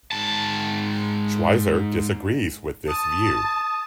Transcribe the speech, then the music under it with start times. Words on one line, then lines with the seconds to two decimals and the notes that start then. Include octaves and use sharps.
Schweizer disagrees with this view.
0.12 G#2 A5
2.88 A5 D#6